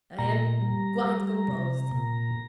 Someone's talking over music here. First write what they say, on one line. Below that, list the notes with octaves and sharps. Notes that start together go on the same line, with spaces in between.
"I am--quite composed."
A#2 A#5
G3
G3
C3
A#2